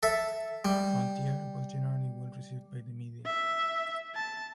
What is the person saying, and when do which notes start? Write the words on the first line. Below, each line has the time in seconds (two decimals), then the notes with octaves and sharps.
"Frontier" was generally well received by the media.
0.03 A4 E5
0.65 G3
3.26 E5
4.15 A5